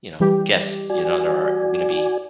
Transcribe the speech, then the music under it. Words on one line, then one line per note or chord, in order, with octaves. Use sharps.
you know, guests, you know, that are are gonna be
E3 G3 G4
F#4 D5 G#5